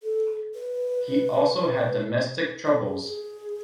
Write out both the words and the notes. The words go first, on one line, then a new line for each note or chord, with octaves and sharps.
He also had domestic troubles.
A4
B4
A4
G#4
G#4